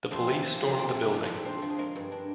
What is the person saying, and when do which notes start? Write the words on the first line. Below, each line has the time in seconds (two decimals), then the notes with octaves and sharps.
The police storm the building.
0.11 F2 C5
0.28 C3
0.45 F3
0.61 F2
0.68 C5
0.78 F2 D5
0.95 C3
1.12 F3
1.28 F2
1.45 D4 C5
1.62 F3
1.70 G#4
1.79 G#3 A#4
1.96 G2
2.12 D4